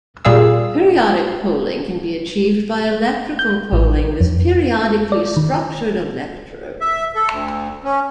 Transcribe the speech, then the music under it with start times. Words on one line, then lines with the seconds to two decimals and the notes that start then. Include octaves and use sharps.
Periodic poling can be achieved by electrical poling with periodically structured electrode.
0.25 A#2 G3 G#4 F5 E6
3.39 G6
3.72 A1
4.21 F2
5.12 D5
5.37 D#3
6.81 E5
7.15 A4
7.30 D2
7.84 C#4